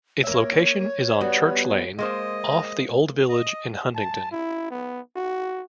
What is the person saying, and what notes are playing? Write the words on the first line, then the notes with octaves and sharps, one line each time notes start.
Its location is on Church Lane, off the Old Village in Huntington.
A#3 C#5 E5
G3 B3 F#4
G#3 A#3 C5 D#5
D#5
A5
E4
B3
F#4